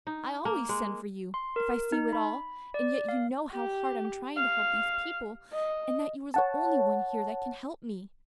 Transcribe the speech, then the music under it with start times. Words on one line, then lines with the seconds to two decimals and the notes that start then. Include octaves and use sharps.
"I always send for you--if I see you at all, and yet you know how hard I'm trying to help these people, and that you are the only one here that can help me."
0.07 D#4
0.45 A#3
0.69 G#3
1.34 C6
1.56 A#4
1.92 D#4
2.13 B5
2.74 D5
3.09 F5
3.51 G4
4.36 F5
5.53 D#5
6.34 C#5 F#5 A5